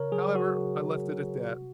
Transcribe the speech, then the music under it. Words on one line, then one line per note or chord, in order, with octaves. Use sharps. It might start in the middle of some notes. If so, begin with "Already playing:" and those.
However, I left it at that.
Already playing: C#3 A#4 C#5
F#3 G#4
F#4
C#3
F#3
C3